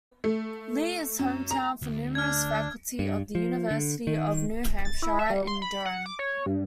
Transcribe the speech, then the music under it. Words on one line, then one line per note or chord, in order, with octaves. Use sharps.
Lee is hometown for numerous faculty of the University of New Hampshire in Durham.
A3
F#2
A#5
D2
D4 F6 G#6
G2
F3
D3
D#3
A6
E4
E5
G3
C6
B5
F#5
D6
C#5
G2